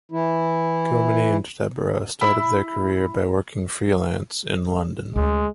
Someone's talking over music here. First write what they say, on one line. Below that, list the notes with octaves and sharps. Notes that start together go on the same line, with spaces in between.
Kilmeny and Deborah started their career by working free-lance in London.
E3 E4
E4 E6
D2 G#3